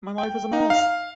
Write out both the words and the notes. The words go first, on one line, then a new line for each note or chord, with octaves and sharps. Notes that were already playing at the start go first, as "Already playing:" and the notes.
My life is a mess.
G5
D#4
F5